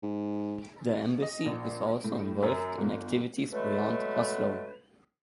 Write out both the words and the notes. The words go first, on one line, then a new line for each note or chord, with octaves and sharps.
The Embassy is also involved in activities beyond Oslo.
G#2
D#5
A#1
A2
F#2
G1
B2 F#3 G#3 A3 A4 B4